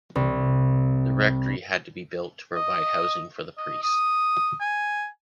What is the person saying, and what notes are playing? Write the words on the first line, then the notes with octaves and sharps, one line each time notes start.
The rectory had to be built to provide housing for the priest.
C2
D#5
D#5
D#6
G#5